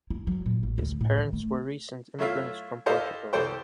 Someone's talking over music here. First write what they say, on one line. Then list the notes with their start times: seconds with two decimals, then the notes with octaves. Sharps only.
His parents were recent immigrants from Portugal.
0.10 E4
0.27 F#3
0.46 A#2
0.63 A1
0.78 D2
1.01 A2
1.18 D#3
1.33 A3
2.18 F#3 A3 E4 F4 E5 F5
2.86 E4 G4 A4 C5 D#5 F5
3.33 C2 G4 A4 C5 G5